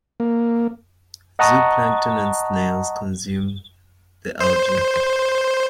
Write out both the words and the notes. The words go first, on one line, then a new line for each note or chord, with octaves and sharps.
Zooplankton and snails consume the algae.
A#3
D#5 F#5 A5 A#5 C#6 D#6
C5